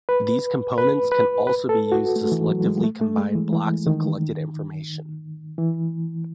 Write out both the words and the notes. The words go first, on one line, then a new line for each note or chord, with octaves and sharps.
These components can also be used to selectively combine blocks of collected information.
B4
B4
B4
B4
A4
F#4
A3
E3
F#3
G#3
A3
A3
G#3
E3
E3
D#3
E3